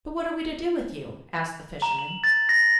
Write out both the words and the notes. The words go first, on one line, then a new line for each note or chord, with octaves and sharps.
'But what are we to do with you?' asked the fisherman.
A#5
F#7
A6
A#6